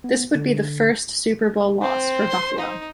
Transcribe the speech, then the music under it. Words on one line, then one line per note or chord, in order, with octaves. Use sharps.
This would be the first Super Bowl loss for Buffalo.
B3
D3
C4 C5
C6
D#4